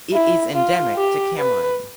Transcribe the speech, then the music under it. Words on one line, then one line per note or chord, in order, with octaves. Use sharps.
It is endemic to Cameroon.
E4
F4
G4
B4